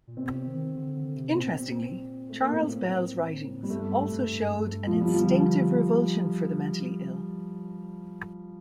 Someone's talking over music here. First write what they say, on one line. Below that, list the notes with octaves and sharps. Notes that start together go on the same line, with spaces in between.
Interestingly, Charles Bell's writings also showed an instinctive revulsion for the mentally ill.
A#2
C3 C4
D#3
D3
D3
C3
A#2 C4
A3
A#3
A#2
A2 C4
G3
G2 A3
G2
G2
A2
G2
G2
G2
A#2 F3
G3
D3 F3
D3